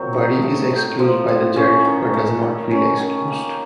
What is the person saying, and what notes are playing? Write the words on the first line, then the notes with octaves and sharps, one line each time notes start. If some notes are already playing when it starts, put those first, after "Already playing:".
Buddy is excused by the judge, but does not feel "excused".
Already playing: A#2 F#3 C4
D#4
A3
A2
F3
A2
C#4
D#3
A3
D#3
C#4
D#3
A#3